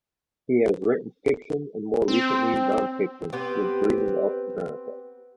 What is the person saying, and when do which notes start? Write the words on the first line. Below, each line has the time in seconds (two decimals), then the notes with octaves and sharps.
He has written fiction, and more recently, non-fiction, with "Dreaming up America".
2.08 C4
3.33 B3 C4 G4 B4